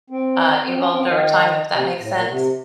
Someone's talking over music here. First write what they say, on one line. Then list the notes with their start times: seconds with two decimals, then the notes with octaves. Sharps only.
uh evolved over time, if that makes sense.
0.10 C4
0.64 C4
0.78 C#4
0.92 C4
1.05 D#3
1.73 C3
2.00 A2
2.14 A#2
2.28 C3